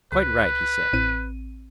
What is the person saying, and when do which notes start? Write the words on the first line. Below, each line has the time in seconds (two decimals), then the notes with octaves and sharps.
Quite right, he said.
0.12 C#2 B4
0.93 A1 C4 D#7